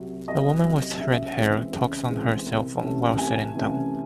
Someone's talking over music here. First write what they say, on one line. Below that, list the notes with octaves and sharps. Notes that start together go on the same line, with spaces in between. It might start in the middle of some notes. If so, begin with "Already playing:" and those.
A woman with redhair talks on her cellphone while sitting down.
Already playing: C2 C3 F#3
C2 D#5
C3 F#3
C#3 E5
E3 G#3 C4
C#3
E3 G#3 C4
C2
C3 E3 A3 C#4
C2 G#5
C3 E3 A3 C#4